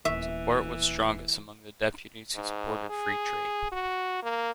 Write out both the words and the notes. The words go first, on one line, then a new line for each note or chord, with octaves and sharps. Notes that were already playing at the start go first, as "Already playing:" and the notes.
Support was strongest among the deputies who supported free trade.
D#1 E2 E3 E5
G#2
G#4
F#4
A#3